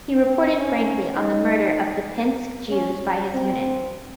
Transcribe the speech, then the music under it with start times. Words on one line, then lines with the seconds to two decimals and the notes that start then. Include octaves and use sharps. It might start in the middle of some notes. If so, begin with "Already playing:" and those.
He reported frankly on the murder of the Pinsk Jews by his unit.
0.24 C4
0.56 C#4
1.16 D#4
2.70 C#4
3.32 C4